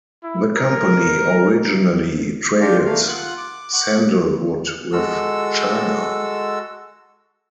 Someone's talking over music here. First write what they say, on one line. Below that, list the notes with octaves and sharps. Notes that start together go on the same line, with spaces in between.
The company originally traded sandalwood with China.
E4
A#4
D4 F4 G4 F5
A3 A#3 F5
F4 F#5 F#6
D6
F#5 C#6 D6
G#3 F#4 A4 E6